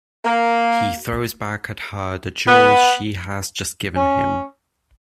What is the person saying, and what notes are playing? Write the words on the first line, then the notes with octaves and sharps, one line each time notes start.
He throws back at her the jewels she has just given him.
A#3
B3
C#4